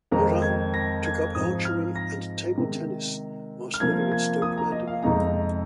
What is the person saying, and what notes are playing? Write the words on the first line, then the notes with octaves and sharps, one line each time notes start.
Horan took up archery and table tennis while living at Stoke Mandeville.
F2 D#3 G#3 C4 D#4 A#5
G#6
A#6
G#6
G#2 F3 C4 D#6
F6
A#6
C3 D#3 G#3
F6
C3 F3 A#3 G#6
G#6
D#6
A#5
D#5
F5
F2 C3 G#3 D#4 A#5